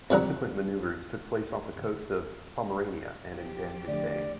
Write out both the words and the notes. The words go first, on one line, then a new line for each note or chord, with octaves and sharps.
Subsequent maneuvers took place off the coast of Pomerania and in Danzig Bay.
F2 G3 F#5 A#5
F3 G4
D3 A3 D4 D5